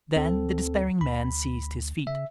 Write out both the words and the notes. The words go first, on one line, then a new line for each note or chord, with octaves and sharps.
Then the despairing man seized his feet.
D2 C4 A4
D2 B5
C#3 E5